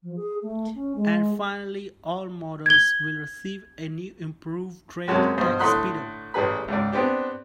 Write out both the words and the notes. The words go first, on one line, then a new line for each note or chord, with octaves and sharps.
And finally all models will receive a new improved Trail Tech speedo.
F3
G#4
A3
C#4
G#3
G#6 G7
F#2 C3 G#3 F#4 C#5 A5
G2 B2 C5
A2 D3 B5 C6 D#6 F#6
A1 G3 G#4 B4 B5
C#2 G#2 D5
B3 C4 D4 G4